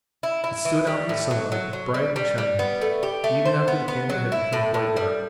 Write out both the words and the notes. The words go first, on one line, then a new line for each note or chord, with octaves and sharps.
It stood out in the sunlight bright and shining, even after the canyon had become quite dark.
E4
E4
E3
G3
A2
F#3
F#3
F#3
G3
G3
G3
B3
A3
G4
A3
C5
B3
B3
F#3
E4
A2
A2
G3